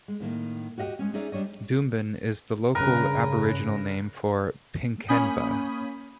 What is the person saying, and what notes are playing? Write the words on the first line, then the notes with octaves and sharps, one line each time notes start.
Doomben is the local Aboriginal name for Pinkenba.
G#3
A2 D#3 A#3
F#4 G4 D#5 F5 G5
G#3 C#4
C#4 D#4 G#4 D5 E5
G3 D4 C#5 D#5
G2 C#3 A#4 B4
A#3 C#4 G#5 B5 D#6 G6